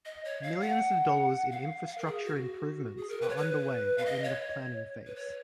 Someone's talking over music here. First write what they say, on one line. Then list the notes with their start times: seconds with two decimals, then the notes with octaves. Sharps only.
Millions of dollars in infrastructure improvements are underway or in the planning phase.
0.05 D#5
0.25 C#5
0.43 F5
0.61 F#5
1.51 F5
1.88 F5
1.98 A#4
2.06 G#4
2.24 F#4
2.97 G#4
3.09 A#4
3.21 B4
3.29 C#5
3.37 B4
3.98 F5
4.06 D#5
4.24 C#5
5.06 B4
5.16 C#5